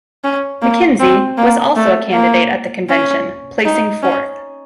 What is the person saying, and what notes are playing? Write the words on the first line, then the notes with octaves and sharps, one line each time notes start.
McKenzie was also a candidate at that convention, placing fourth.
C#4
A#3
C4
A#3
A3
A#3
C#4
D#4
C#4